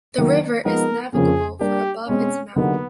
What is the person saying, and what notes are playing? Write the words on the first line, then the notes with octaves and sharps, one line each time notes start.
The river is navigable for above its mouth.
D#3 F#3 A#3
F3 G#3 B3 D#4 A#4
F2 C#3 F3 A#3 C#4 G#4
G3 A#3 D4 G4
B2 G#3 C4 C#4
D3 F#3 A#3 B3 D#4 G4